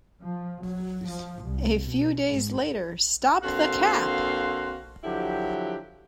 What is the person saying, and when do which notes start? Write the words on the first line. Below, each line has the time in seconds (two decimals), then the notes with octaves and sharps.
A few days later, Stop The Cap!
0.23 F3
0.61 F#3
1.08 F3
1.42 C2
1.83 B2
2.27 G#2
3.43 D3 A#3 C4 F#4 F5 C6
5.04 D3 F3 F#3 E4 G4